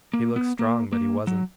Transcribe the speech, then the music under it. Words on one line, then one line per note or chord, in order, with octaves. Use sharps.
He looked strong, but he wasn't.
A#3
B3
A#3
A#3
F#3